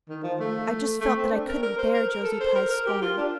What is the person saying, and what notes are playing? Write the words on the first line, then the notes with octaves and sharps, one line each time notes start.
I just felt that I couldn't bear Josie Pye's scorn.
D#3
F3
A3
A3
C4
D4
A#4
A#4
C5
A#4
A#4
A4
C5
A#4
A#4
G4
F4
D4